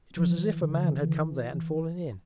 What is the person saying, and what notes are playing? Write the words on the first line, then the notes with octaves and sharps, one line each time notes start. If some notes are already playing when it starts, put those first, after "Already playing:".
It was as if a man had come there and fallen in.
F3
E3
D3
E3
D3
E3